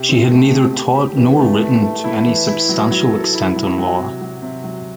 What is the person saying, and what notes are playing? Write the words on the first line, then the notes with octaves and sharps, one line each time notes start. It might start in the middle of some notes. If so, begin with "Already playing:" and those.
She had neither taught nor written to any substantial extent on law.
Already playing: C3 G4
C4
A3
G4
G4
G4
E3
A3
A3
A3
E4
E3
E4
F#3
F#3
A4
E4
F#3
F#3
C3
F#3
C3
F#3